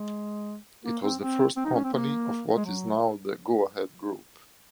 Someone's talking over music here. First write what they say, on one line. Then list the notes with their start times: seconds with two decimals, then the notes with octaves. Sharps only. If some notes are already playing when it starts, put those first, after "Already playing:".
It was the first company of what is now the Go-Ahead Group.
Already playing: G#3
0.85 A#3
1.03 C4
1.21 C4
1.57 C4
1.65 D#4
1.75 C#4
1.84 C4
1.93 A#3
2.57 G#3
2.65 F#3